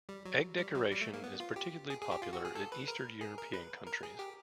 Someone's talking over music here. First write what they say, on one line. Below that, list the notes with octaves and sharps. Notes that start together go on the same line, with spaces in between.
Egg decoration is particularly popular in Eastern European countries.
G3
F#3
G3
F#3
G3
A3
A#3
B3
F4
G4
G#4
G#4
G4
F4
F#4
G#4
A4
B4
A#4
G#4
A#4
B4
A#4
G#4
G4